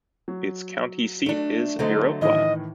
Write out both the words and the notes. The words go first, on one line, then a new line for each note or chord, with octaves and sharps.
Its county seat is Viroqua.
F#3
A3 D4
D3 F#3 A3 C5 D#5
A2 D#3 E3 D#5